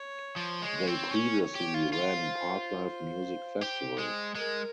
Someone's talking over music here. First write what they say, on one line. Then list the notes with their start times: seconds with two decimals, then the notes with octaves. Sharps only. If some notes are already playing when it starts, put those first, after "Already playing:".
They previously ran Parklife Music Festival.
Already playing: C#5
0.36 F3
0.61 G#3 C#5
0.87 C4
1.11 C#4
1.55 G4
1.74 F4
1.93 F4
2.11 C5
3.61 G4
3.98 G#3
4.35 G#3 A#4